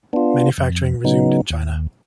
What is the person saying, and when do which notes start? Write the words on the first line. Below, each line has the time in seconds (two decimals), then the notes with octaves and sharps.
Manufacturing resumed in China.
0.13 B3 D4 F4
0.58 F2
1.05 C#3 F#3 B3 D#4
1.50 D#2